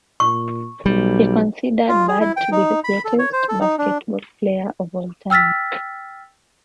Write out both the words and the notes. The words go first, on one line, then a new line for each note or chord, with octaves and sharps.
He considered Bird to be the greatest basketball player of all time.
A#2 C#6
B1 G3
F4
G#4
E4
G5
D#4
B5
A4
C#5
C5
A4
D#4
D4
G5 E6 F6 A6 B6